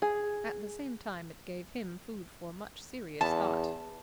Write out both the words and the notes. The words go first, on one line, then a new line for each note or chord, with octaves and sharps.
At the same time it gave him food for much serious thought.
G#4
E2 A5